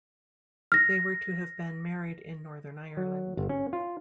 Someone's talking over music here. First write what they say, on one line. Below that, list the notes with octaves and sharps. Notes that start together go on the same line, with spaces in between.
They were to have been married in Northern Ireland.
F6 A#6
F#3
G1
C#4
F4